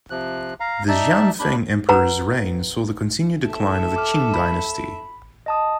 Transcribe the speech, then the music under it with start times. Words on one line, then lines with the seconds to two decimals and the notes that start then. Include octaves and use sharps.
The Xianfeng Emperor's reign saw the continued decline of the Qing dynasty.
0.10 C3 F3 F#6
0.60 F5 A#5
0.88 D#4 D5 E5 A5
1.39 D#2 D4 B5
1.89 B4 F#5 A#5
3.46 A4 E5
3.96 D6 F6
4.34 B5
5.46 D#5 A5 D#6